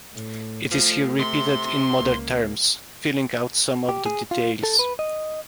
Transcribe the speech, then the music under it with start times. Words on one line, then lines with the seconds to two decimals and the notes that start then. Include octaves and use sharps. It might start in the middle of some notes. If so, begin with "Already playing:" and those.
It is here repeated in modern terms, filling out some of the details.
0.13 A2
0.72 F3 A3
1.20 C3 C6
2.00 C#2 A#3
3.89 G4
4.06 G#4
4.31 F4
4.63 A4
4.79 B4
4.99 D#5